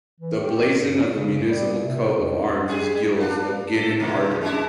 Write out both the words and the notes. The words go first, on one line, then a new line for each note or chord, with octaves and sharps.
The blazon of the municipal coat of arms is Gules a Guidon Argent.
E3
G4
G2
C#3
G2
G3
C3
F2
G3 G#4
A#3 D4
A4
G#2 B2 D#3
G#3 D4 E4